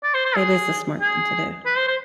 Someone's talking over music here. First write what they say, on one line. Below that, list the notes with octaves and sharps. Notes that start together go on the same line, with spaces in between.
It is a smart thing to do.
D5
C5
C5
G#4
G#4
B4
C5
C5